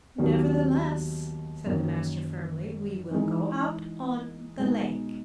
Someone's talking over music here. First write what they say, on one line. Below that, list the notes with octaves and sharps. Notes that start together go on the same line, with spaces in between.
"Nevertheless," said the master, firmly, "we will go out on the lake."
D#2 D#3 F#3 B3
F#2 D#3 A#3
E3 G#3 D#4
B2 G#3 D#4